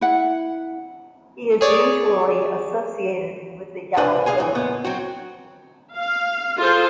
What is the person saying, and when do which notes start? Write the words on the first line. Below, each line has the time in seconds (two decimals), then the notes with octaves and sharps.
He is usually associated with the Yellow River.
0.01 E4 F#5
1.61 G#4 C#5 D5
3.97 C#2 C3 D4 F4 B4 G#5
4.26 C2 F2 G#4 F5 G#5
4.38 F2 E3
4.55 C#2 A#2 B3
4.85 F#3 C4 F#4
5.95 F5
6.59 F4 G#4 A4 C5